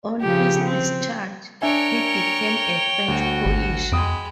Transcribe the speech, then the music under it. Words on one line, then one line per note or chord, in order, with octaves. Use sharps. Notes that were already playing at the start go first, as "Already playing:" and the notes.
On his discharge, he became a French polisher.
C#3 F3 G4
C4
D4 A#4 C#5 E5 G5 G#5 C#6
D2 F#4
G#1
F2 G#3 G5 B5 D#6 D7